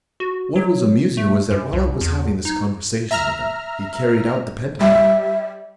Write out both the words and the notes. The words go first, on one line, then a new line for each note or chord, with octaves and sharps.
What was amusing was that while I was having this conversation with him, he carried out the pantomime.
F#4
F#3
A3
F#2
C2
E2
D#4
E5 A#5 F6
G3 E5